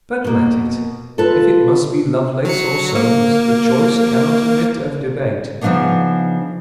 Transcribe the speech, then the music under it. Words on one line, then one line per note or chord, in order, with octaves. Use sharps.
But let it--if it must be Lovelace or Solmes, the choice cannot admit of debate.
B2 A#3
F4 A4 B4
F#3 C#7
A#3
C#3 F3 A#3 B3 D4 D#4